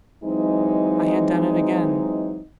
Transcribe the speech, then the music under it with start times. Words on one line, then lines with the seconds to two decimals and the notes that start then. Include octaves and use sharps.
I had done it again.
0.24 E3 F#3 G#3 C4 D#4